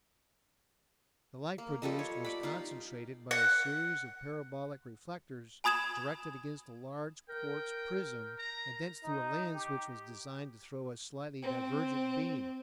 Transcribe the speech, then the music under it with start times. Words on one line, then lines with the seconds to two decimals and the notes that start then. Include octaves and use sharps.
The light produced was concentrated by a series of parabolic reflectors, directed against a large quartz prism, and thence through a lens which was designed to throw a slightly divergent beam.
1.58 A#3
1.82 F3 G3 A4 D#5
1.99 C#5
2.25 B5 D6
2.43 D#4 F4 F5
3.31 F#5
5.64 G#5 B5 D#6 G#6 E7 F#7
7.29 A#4 G5
8.39 A#5
9.04 D#4
9.54 G4
11.42 C4